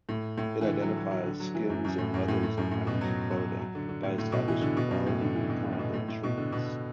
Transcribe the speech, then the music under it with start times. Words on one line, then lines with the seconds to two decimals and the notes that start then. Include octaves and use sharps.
It identifies skins and leathers in items of clothing, by establishing quality, kind and treatments.
0.09 A2
0.37 A2
0.61 E3
0.67 D3
0.82 F#3
0.97 F#3
1.11 F#3
1.26 D3
1.40 F#3
1.55 E3
1.70 F#2
1.84 F#2
1.98 A2
2.14 F#2
2.28 A2
2.43 A2
2.57 F#2
2.71 A2
2.87 B2
3.01 F#3
3.31 F#3
3.59 F#3
3.75 D3
3.89 D3
4.03 A2
4.18 A2
4.32 B2
4.48 E3
4.61 D3
4.77 B2
4.91 F#2
5.06 A2
5.21 D3
5.35 E3
5.43 D3
5.49 B2
5.64 D3
5.72 A2
5.79 B2
5.94 A2
6.08 A2
6.23 B2
6.37 D3
6.52 B2